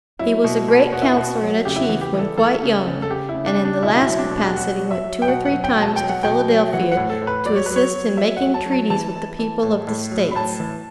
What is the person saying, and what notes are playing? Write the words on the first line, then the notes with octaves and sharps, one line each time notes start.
He was a great Counsellor and a Chief when quite young; and in the last capacity, went two or three times to Philadelphia to assist in making treaties with the people of the states.
F#3 E4
B2
B2
B2 F#4
E4
F#4
B2
F#3
C#3 G4
E4
F#4
E3
G4
E3
A4
E3 A4
C#3
C#3
A4
C#3 G4
E4
C#3
D4
C#3
D4
B2 E4
D4
E4
F#3
D4
B2
D4
G4
F#3 F#4
F#3
E5
F#3
G5
B2 F#5
F#5
F#3
G5
B2
A5
F#3 G5
F#5
B2 G5
F#3
E3 F#5
F#5
A2
A4
A2
B4
F#3 D5
C#5
F#3 B4
C#5
F#3
F#3 E5
F#5
F#3
A5
F#3
A5
E3 A5
E3
E3
A2
A2
F#3
B5
A2 A5
E3